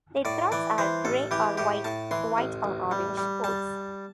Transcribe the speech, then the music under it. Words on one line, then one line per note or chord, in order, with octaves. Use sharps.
Their throats are grey or white with white or orange spots.
A2 D5
E3 D5
E3 C5
A1 A4
E3 G4
A2 G4
A2 A5
E3 C6
A1
A1
G3
G3
G3 A5